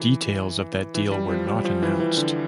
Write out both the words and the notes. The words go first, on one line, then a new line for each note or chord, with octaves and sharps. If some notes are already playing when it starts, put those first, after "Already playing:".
Details of that deal were not announced.
Already playing: E3
E3
G3
F3
G3
F3
E3
E3
D3